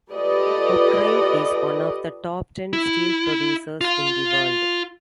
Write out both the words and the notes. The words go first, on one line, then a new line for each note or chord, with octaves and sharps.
Ukraine is one of the top ten steel producers in the world.
F4 G4 A4 B4 D5 D#5
E4
F4 C6